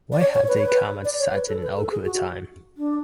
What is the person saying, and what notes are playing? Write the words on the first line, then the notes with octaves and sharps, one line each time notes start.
Why had they come at such an awkward time?
D5
C#5
C#5
B4
C#5
B4
D5
C#5
B4
A4
B4
A4
G#4
F#4
D4